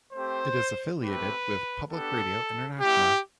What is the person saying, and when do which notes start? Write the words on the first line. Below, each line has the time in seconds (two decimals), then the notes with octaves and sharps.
It is affiliated with Public Radio International.
0.12 A3 C4 G4 C5
1.01 A3 C4 G4 B4
1.90 B3 D4 G4 A4
2.78 G3 B3 E4 G4